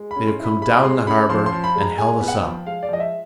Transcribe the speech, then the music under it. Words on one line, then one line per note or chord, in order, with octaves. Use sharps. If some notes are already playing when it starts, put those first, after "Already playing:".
They'd have come down the harbour and held us up.
Already playing: G#3
B5
C#4
C6
E4 B5
G#3 B5
G#3 C6
C#4 B5
F3 C6
C6
F3
B5
G#3
A#5
G#3 G#5
B3
F#5
G5
F3
G#3 F5
D5
F3 D#5
E5